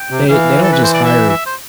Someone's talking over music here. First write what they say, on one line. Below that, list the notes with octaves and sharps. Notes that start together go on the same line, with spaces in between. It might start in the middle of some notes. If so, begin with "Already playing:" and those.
they they don't just hire
Already playing: G5
C3
E3 F5
A4
B4
C5
D5
E5
E5
C5